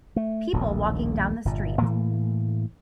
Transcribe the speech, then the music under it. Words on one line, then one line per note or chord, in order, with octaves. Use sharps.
People walking down the street.
A3
D#1 A#1 D#2 A2
G1 A#2
A2 E3 A3 A#3